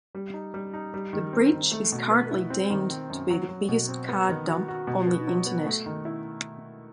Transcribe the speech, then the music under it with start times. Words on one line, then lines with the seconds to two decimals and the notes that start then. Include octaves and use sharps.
The breach is currently deemed to be the biggest card dump on the internet.
0.15 G3
0.34 D#4
0.54 G3
0.73 D#4
0.94 G3
1.13 D#3
1.33 C4
1.52 D#3
1.71 A3
1.92 B2
2.11 B4
2.31 E4
2.50 C4
2.70 D#3
2.90 C4
3.10 F#2
3.30 F#3
3.49 F#3
3.69 B2
3.89 C4
4.09 B3
4.29 D#3
4.49 F#4
4.68 F#4
4.87 B2
5.07 B3
5.27 F#3
5.46 B3
5.66 A3
5.86 D#3
6.05 E4